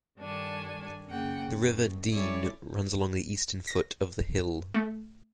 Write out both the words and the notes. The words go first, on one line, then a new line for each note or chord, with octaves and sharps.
The River Dean runs along the eastern foot of the hill.
G2 D#3 D4 A4 G#5
F#2 C#3 A#3 F#5 G5
F#2
G3 C#4 E4 A4 C#5 D5
A#6
A3